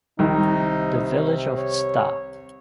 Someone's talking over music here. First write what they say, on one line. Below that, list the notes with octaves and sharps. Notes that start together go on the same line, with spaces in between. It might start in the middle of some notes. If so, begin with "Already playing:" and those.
The village of Sta.
C2 C3 D#3 D#4
C#5